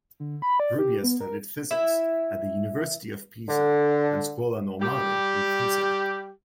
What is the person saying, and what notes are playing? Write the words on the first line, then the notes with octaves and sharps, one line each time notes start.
Rubbia studied physics at the University of Pisa and Scuola Normale in Pisa.
D3
B5
D5
G4
B3
A#4
E4 E5
D3
G3 G4